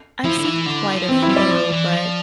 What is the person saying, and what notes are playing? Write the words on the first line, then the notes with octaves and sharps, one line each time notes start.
I've seen quite a few, but,
F3 E4
D3
E3
D3
F3
E3 C4
E4
G3
D5
F3
E3
F3